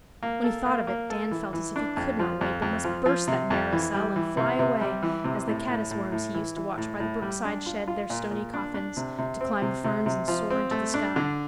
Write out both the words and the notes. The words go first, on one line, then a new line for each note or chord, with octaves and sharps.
When he thought of it Dan felt as if he could not wait, but must burst that narrow cell and fly away, as the caddis-worms he used to watch by the brookside shed their stony coffins, to climb the ferns and soar into the sky.
A#3
A4
A#3
A#3
A4
E3
E3
D4
F2
F3
F2
F2
F3
F3
C3
F2
E3
G3
E3
C3
C3
G3
E3
C3
A2
A2
A2
A2
E3
E3
A2
A2
G3
D4
F4
F4
A#2
A#2
D4
D4
C3
C3
C4
C3
C3
C3
F3
C4
A3
D4
D3